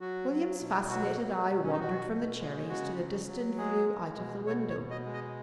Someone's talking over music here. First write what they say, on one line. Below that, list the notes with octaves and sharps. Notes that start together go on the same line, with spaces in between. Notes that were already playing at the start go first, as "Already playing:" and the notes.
William's fascinated eye wandered from the cherries to the distant view out of the window.
F#3 F#4
F#3
B2
F#3 F#4
F#3
B2
C#4
D#4
B2 F#4
B2
G#3
C#3 F#4
F#3
F#3
G#3 G#4
G#3
B2
B2 C#5
C#5
B2
D#5
G#3
D#5